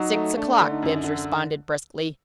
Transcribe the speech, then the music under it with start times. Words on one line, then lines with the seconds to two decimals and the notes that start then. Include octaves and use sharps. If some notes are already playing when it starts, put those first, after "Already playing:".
"Six o'clock," Bibbs responded, briskly.
Already playing: F#3 D#4
0.15 A3
0.37 A3 D4
0.60 D3
0.71 D#4
0.82 F#2
1.04 D3